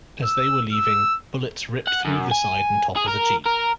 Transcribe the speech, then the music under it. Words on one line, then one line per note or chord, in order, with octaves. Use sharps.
As they were leaving, bullets ripped through the side and top of the Jeep.
E6
E6
F#5
F#2
G#5
G#4
A#4
A#4